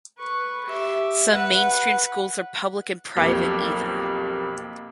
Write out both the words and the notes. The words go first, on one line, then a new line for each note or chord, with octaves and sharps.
Some mainstream schools are public and private either.
B4 C#6
G4 E5
B4 F#5
B1 F2 A#3 G4